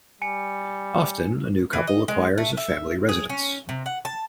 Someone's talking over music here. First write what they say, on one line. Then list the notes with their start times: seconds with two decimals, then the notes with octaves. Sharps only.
Often a new couple acquires a family residence.
0.22 G3 G#5 C#7
1.73 E3
1.87 D#5
2.08 G#3
2.38 A3
2.57 E5
3.09 G#4
3.29 C#4
3.69 C3
3.86 F#5
4.05 A5